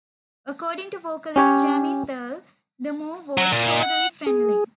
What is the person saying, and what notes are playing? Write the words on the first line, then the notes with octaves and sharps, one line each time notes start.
According to vocalist Jamie Searle, the move was totally friendly.
C#4 G4 C#5
F#3
A#2
F#5
G#4